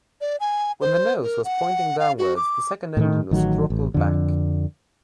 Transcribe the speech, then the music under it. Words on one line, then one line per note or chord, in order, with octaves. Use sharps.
When the nose was pointing downwards, the second engine was throttled back.
D5
G#5
C5
A#4
F#5
F5
F#4
D6
A2 D#3
A1 D#3 F#3
A1
F2 D3